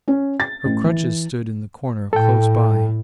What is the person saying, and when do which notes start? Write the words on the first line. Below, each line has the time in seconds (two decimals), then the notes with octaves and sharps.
Her crutches stood in the corner close by.
0.08 C#4
0.40 A6
0.65 A1
0.85 E3
2.13 A2 A4 G5